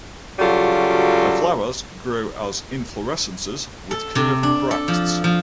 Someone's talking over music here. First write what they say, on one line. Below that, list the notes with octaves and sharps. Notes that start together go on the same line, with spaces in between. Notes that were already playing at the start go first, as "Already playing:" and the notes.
The flowers grow as inflorescences with curved bracts.
C#3 F#3 G3 F4 F#4 A4
A4
C3
D4
A4
F3
F3